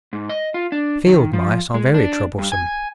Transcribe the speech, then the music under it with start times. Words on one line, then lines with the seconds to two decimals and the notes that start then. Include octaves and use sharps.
Field mice are very troublesome.
0.13 G#2
0.29 D#5
0.54 F4
0.72 D4
1.06 D#3
1.33 F3
1.74 G#3
1.94 D4
2.39 G2
2.52 G#5